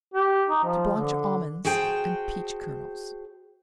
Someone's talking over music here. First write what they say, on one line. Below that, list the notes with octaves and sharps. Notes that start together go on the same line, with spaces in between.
To Blanch Almonds and Peach Kernels.
G4
D#4
F3
D3
F#4 G#4 C5 G5 A5